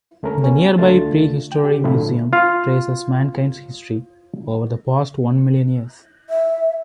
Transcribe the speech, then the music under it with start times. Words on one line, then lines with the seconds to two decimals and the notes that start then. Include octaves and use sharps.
The nearby Prehistory Museum traces mankind's history over the past one million years.
0.23 D2 A3 C#4 A#4
0.44 B3 C#4
0.78 C#2 D3 A3 D4 F4 A6
1.52 G5
1.64 D3 G4
1.84 A2 D3 F3 A3 E4
2.33 F4 F5
6.30 E5